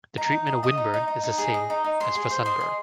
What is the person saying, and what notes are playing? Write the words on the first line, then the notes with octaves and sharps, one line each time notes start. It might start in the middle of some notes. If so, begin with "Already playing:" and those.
The treatment of windburn is the same as for sunburn.
D#4 A#5
D#4
G#4
D#5 D#6
D#4
D#4
D#4
D#4
G#4
D#5
D#4
D#4
G#4 C6
G#4
C5
D#5 C6
G#4